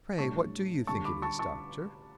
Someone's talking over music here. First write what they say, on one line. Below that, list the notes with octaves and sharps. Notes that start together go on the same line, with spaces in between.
"Pray, what do you think it is, doctor?"
A2 G3 D4 A5 C#6
D3 G3 D4 A5 C#6
B5 D6
A5 C#6
A5 C#6